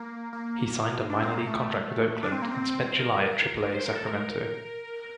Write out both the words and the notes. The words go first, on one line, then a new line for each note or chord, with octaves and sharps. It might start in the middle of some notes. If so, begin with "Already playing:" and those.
He signed a minor league contract with Oakland and spent July at Triple-A Sacramento.
Already playing: A#3
A#3
D4
C4
A#3
A3
D4
C4
A#3
C4
C5
A#4
C5
A#4
A4
A#4